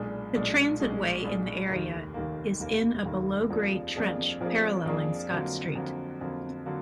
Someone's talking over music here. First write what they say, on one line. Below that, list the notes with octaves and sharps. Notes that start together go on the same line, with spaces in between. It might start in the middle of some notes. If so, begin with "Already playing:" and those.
The transitway in the area is in a below-grade 'trench' parallelling Scott Street.
Already playing: B1 A#2 G#3 D4 G#4
B1 A#2 G#3 D4 G#4
B1 A#2 G#3 D4 G#4
B1 A#2 G#3 D4 G#4
F1 D#2 D#3 A#3
F1 D#2 D#3 A#3
F1 D#2 D#3 A#3
F1 D#2 D#3 A#3
F2 F3 A#3 D4 G#4
F2 F3 A#3 D4 G#4
F2 F3 A#3 D4 G#4
F2 F3 A#3 D4 G#4
F2 D3 F#3 A#3
F2 D3 F#3 A#3
F2 D3 F#3 A#3
D3 F#3 A#3